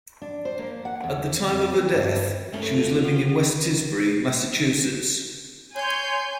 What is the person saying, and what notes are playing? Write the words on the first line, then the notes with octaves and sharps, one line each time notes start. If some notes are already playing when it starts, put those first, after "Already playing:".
At the time of her death she was living in West Tisbury, Massachusetts.
D4
C5
A#3
F#5
E2
F2
C4
G2
D2 G3 A3 A#3 C#4
F2 F4
C3 F3 F#4
C#5 G#5 C6 G6